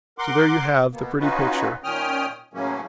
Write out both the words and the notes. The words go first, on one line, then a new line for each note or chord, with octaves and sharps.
So there you have the pretty picture.
A#4 F#5 C6 D6
B2 A#3 B3
C#4 D#4 F4 F#4 B4
A#2 D#3 C#4 G5 D#6 F6
A2 C#3 E3 F#3 A#3 C#4